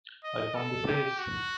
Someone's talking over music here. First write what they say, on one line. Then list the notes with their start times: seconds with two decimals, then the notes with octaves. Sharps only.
I found the place.
0.24 D#5
0.55 A4
0.87 G4
1.19 F#4